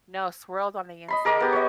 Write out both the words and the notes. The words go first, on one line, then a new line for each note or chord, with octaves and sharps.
No, swirled on the inside
D#5 B5 C6
G#4 A#4 D#5 D6
B3 G4
C#5 D#5